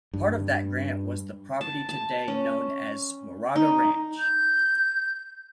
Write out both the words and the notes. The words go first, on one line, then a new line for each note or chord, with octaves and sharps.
Part of that grant was the property today known as Moraga Ranch.
G2
A5
A5
C#4
D#4
G6